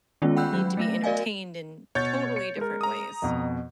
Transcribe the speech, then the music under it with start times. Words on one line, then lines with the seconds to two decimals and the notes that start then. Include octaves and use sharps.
need to be entertained in totally different ways.
0.22 D#3 G#3 A3 B3 C#4 F4
0.37 F#5 G5 B5 E6 F#6 G6
0.54 F#3
0.77 A3 B3 A#6
1.04 F#4 A#4 D5 D#5 F5 G#5
1.95 B2 C#5 C#6 G6 A6
2.36 C#7
2.57 G#3 A#4
2.81 A#5 D#6
3.22 F2 B2